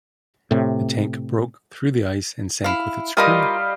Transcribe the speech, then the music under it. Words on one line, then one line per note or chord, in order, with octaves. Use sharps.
The tank broke through the ice and sank with its crew.
A2 C3
E4 F5
G3 F4 A#4 D#5 F5 D#6